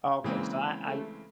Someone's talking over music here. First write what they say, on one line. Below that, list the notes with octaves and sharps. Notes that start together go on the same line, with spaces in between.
Okay. So I I
C#3 E3 G#3 A#3 C4
A3